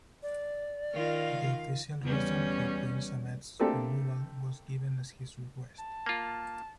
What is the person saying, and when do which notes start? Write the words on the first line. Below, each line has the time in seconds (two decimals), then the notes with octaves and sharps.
The official reason for Prince Ahmed's removal was given as his request.
0.23 D5
0.93 D#3 F4 A#4 F5
2.02 E2 G3 C#4
3.60 A3 A#3 C4 D4 G4 A4
5.79 A5
6.06 A#3 F4